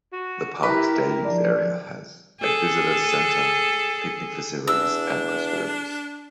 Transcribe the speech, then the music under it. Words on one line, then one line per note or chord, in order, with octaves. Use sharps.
The park's day-use area has a visitor center, picnic facilities, and restrooms.
F#4
E4 G4 A#4 B4
F3 D4
G#4 A4
E2 D4 E6